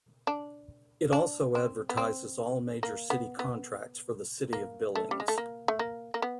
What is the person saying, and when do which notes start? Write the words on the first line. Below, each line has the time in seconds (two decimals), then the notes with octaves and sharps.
It also advertises all major city contracts for the City of Billings.
0.27 D4
1.13 D4
1.55 C4
1.89 B3
1.97 C4
2.83 A#3
3.10 B3
3.39 B3
4.53 A#3
4.95 A3
5.11 G3
5.20 G#3
5.28 A3
5.38 A#3
5.68 A3
5.79 A#3
6.14 A#3
6.22 B3